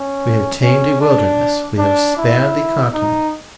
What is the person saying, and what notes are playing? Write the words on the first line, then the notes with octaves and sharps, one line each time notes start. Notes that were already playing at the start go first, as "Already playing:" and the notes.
We have tamed a wilderness; we have spanned a continent.
Already playing: C#4
C#4
D4
D4
E4
D#4